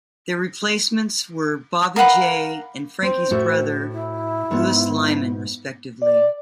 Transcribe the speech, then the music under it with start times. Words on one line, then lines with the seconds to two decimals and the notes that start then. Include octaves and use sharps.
Their replacements were Bobby Jay and Frankie's brother Lewis Lymon, respectively.
1.96 A#4 F5 F#5 B5
3.03 C4 C5
3.31 A2 F#4 E5
3.91 E4
4.51 G#2 B3
6.02 D5